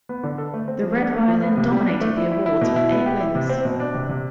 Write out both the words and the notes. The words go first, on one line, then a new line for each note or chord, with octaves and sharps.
"The Red Violin" dominated the awards, with eight wins.
B3
D3
A4
A3
C4
F3
D4
A3
F3
B3
C3
G3
D4
A3
E4
E4
E4
B2
E4
B3
G4
E4
C3
C4
B2
D4
C3
C3